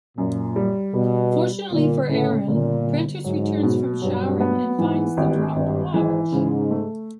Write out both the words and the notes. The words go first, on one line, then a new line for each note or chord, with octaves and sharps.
Fortunately for Aaron, Prentice returns from showering and finds the dropped watch.
F#2 A#2
G3
B2 G3
G3
G1 A#2
A2 C#3
G1 A#2
G1
G#2 F#3
B2
G2 F#3
B3
G#2 E3
G#1 G2
G#1 G2
G#2 E3
G#2 C#3
A3